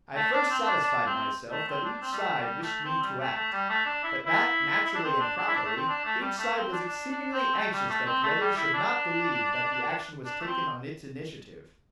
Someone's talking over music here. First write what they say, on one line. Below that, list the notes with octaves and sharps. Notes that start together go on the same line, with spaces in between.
I first satisfied myself that each side wished me to act, but that, naturally and properly, each side was exceedingly anxious that the other should not believe that the action was taken on its initiative.
A3
D4
C4
D4
D4
C4
A3
C4
D4
C4
G3
A3
G3
A3
C4
G3
A3
A3
G3
A3
D4
E4
E4
E4
D4
C4
D4
D4
E4
D4
A3
C4
D4
A3
G3
A3
C4
D4
D4
D4
C4
A3
G3
A3
C4
A3
G3
E4
D4
D4
A3
C4